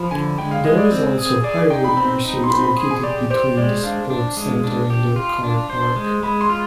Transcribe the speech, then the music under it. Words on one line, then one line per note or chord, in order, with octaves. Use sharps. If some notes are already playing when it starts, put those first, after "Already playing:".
There is also Highwood Nursery located between the sports centre and the car park.
Already playing: F3 B5
D3 G#5
G#3 G5
F5
G#3 D#5
D5
C4
G#4
G#4 D5
D5
D#4 G5
B5
C4 B5
D#4
C6
C4 B5
B5
G#4
G#5
G4 D5
G4 C5
G#3 D5
D4 F5
D4
G#3
D4
G4
F4
D4
C5
G#3
G#3 B5
C6
F4